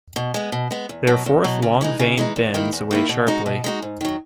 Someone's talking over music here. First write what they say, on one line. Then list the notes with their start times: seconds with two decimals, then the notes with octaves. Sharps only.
Their fourth long vein bends away sharply.
0.16 B2
0.34 G#3 B3
0.52 B2
0.71 G#3 B3
0.89 E2
1.07 B2 F#3
1.26 E2
1.44 B2 F#3
1.62 C#3
1.81 E3 G#3 D#4
1.99 C#3
2.18 E3 G#3 D#4
2.36 E2
2.54 D#3 A#3 E4
2.72 E2
2.91 D#3 A#3 E4
3.09 B2
3.27 G#3 D#4 F#4
3.46 B2
3.64 G#3 D#4 F#4
3.82 G#2
4.01 D#3 F#3